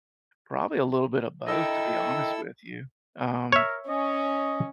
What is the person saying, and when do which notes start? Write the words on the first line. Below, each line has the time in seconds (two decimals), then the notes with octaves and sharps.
Probably a little bit of both, to be honest with you, um,
1.48 E4 A4 D#5 G5 E6
3.52 A#4 C#5 E5
3.89 C#4 D#5